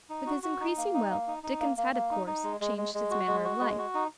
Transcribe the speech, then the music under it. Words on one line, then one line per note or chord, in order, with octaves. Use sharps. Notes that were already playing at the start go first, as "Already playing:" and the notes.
With his increasing wealth, Dickens had, of course, changed his manner of life.
D#4
F#4
F#4
D#4
A#3
D#4
A#3
D#4
D#4
A#3
A#3
A#3
D#4
D#4
G#3
G#3
G#3
G#3
F#4
G#3
F#4
G#3
F#4
D#4